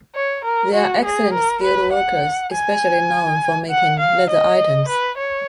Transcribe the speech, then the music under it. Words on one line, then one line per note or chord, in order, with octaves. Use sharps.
They are excellent skilled workers, especially known for making leather items.
C#5
A#4
F#4
G#4
A#4
B4
F#5
G#5
F#5
F5
D#5
B4
C#5